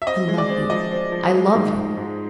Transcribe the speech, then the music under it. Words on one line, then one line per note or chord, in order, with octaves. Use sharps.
I love you--I love you!
E5
C4 D#5
G#3
D5
C4
F3 D#5
C4
F3
G#3
G#2
G#2
G#2